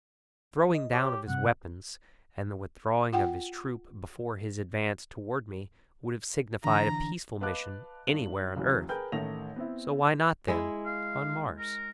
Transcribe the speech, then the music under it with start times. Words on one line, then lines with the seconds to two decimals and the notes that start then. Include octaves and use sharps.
The throwing down of his weapons and the withdrawing of his troop before his advance toward me would have signified a peaceful mission anywhere on Earth, so why not, then, on Mars!
0.74 D#5
0.93 G4 C#5
1.28 G2 C3 F#5
3.13 F4 F#5 G5
6.64 D3 E3 D4 A#5
7.41 B4 D#5 F5 A5 D6 F#6
8.07 G2 F#7
8.56 F#1 C#2 E3 F#3
8.89 G#4 A#4 B4 G5 G6
9.12 A1 D#3 A3 A#6 F7
9.56 B3 C4 E4
10.48 G#3 E4
10.86 F5
11.58 A#4